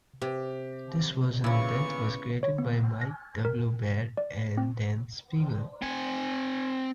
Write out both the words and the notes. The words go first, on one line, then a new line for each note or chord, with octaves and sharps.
This version of Death was created by Mike W. Barr and Dan Spiegle.
C3 G4
A#2 C#3 B3 E4 C#6
C#5
B3
A#6
A#4
D5
C4
C4 G#5